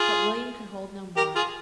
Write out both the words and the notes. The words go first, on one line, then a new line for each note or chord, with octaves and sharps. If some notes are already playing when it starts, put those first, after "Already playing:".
But William could hold no more.
Already playing: F4 G#4
G4 A#4
F4 G#4